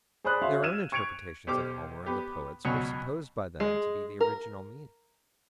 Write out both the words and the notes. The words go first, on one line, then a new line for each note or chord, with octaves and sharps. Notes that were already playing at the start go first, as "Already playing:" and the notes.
Their own interpretations of Homer and the poets were supposed by them to be the original meaning.
G#4 C5 D5 B5 D#6 F#6
C#4 F#4 E5 F5 C6
E6 F6 G#6 D#7 E7
C#6 G#6 C#7 D7 F7
B1 G4 C5 D6 F6
B3 G4
C#2 B2 F#3 C#4 F#5
G#3
A#4